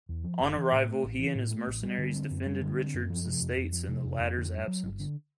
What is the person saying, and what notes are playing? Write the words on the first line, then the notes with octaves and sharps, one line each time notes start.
On arrival he and his mercenaries defended Richard's estates in the latter's absence.
E2
F3
F#1
E3
A2
A3
A1
E3
A2
A3
A1
G3
D3
C4
F#2
G3
D3
C4
F#2
F3
C3
F2
F2
F3
C3
F2
F2
D3
G2
F#3
G1
D3